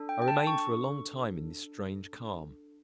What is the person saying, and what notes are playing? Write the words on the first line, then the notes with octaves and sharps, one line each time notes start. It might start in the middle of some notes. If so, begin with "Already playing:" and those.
I remained for a long time in this strange calm.
Already playing: D4 A4
G5
G5
A5
C#6